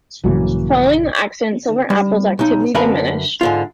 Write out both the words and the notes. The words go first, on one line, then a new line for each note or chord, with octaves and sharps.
Following the accident, Silver Apples' activity diminished.
A#1 G2 C#3 E3 F#3 A#3
G3
B1 D#4
F#2 D3 A#4 B4 F5 B5
G#2 D3 F4